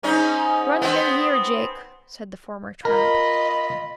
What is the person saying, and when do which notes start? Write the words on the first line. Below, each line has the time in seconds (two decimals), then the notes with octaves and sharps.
"Run him in here, Jake," said the former tramp.
0.03 G#2 C#4 D#4
0.82 B3 C4
2.85 F4 A#4 D#5 B5